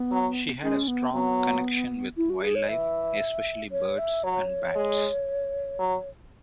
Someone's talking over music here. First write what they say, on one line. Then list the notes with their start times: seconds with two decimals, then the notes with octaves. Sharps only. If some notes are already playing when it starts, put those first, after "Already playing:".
She had a strong connection with wildlife, especially birds and bats.
Already playing: B3
0.11 F#3
0.63 G#3 C#4
0.88 B3
1.14 F#3 B3
2.17 E4
2.30 F#4
2.42 G#4
2.55 C#5
2.69 E3 E5
3.72 C#5
3.98 E5
4.24 F#3 C#5
4.75 G#3
5.79 F#3